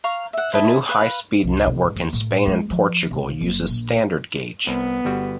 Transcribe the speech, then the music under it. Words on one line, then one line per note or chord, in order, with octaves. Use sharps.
The new high-speed network in Spain and Portugal uses standard gauge.
F5 A#5 C#6
E5 F#5
E4 D#5 A5
B4 F5
C2
C3
G#2
D#2
A2
G#3
F3
C2
F#1
A#1
C2 B3
G1 G3 F#4